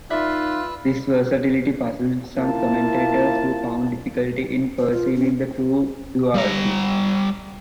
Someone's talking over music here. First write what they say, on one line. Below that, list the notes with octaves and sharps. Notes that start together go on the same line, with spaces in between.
This versatility puzzled some commentators, who found difficulty in perceiving the true Duarte.
D#4 F4 B4 D5 E5 F5 E6 F#6
A#3 E4 F4 A5
C5
F4
C#4
G3 A#5